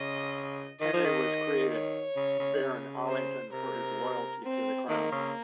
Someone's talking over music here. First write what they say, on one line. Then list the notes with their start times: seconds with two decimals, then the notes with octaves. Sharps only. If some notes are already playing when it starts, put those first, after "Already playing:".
Henry was created Baron Arlington for his loyalty to the crown.
Already playing: C#3 D#5
0.80 D#3 D#5
0.93 F3
1.05 D#3
1.71 C#5
2.16 C#3
2.39 C#3
2.54 D#3
2.62 C#3
3.07 C5
3.52 C3 A#4
4.44 C4
4.89 D#3 A#3
5.12 C#3